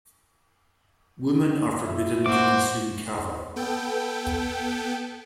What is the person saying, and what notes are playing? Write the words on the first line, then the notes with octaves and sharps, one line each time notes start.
Women are forbidden to consume kava.
E4
A#2 F#4 C5 D6
B3 A4 G5